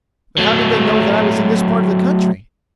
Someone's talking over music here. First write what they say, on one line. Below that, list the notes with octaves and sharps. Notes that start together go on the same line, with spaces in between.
"But how did they know that I was in this part of the country?"
F#3 A3